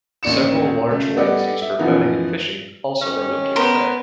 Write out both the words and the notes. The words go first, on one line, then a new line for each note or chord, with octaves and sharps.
Several large lakes used for boating and fishing also are located there.
A1 D#2 D4 C#7 E7
C#3 A3
G3 B3 A4 D5 D#5 F#5
E5
F#2 E3 F3 B3 D#4
D#3 C#4
B3 A#4 C5